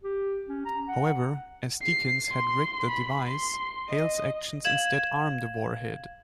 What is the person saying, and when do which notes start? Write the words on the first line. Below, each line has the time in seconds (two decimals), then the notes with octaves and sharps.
However, as Deakins had rigged the device, Hale's actions instead arm the warhead.
0.03 G4
0.48 C#4
0.65 A#5
0.88 F#5
1.83 C7
2.32 C6
2.89 B5
3.28 C6
3.90 D#5
4.65 F5 G#6 E7 F#7